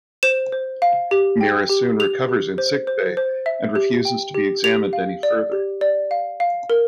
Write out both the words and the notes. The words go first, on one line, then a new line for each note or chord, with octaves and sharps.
Mira soon recovers in sickbay and refuses to be examined any further.
C5 E7
C5
F5
G4
G5
G4
G4 F7
G4
C5
C5
C5
E5
G4
G5
G4
G4 F7
F5
D5
G4
D5
F5
F5
A#4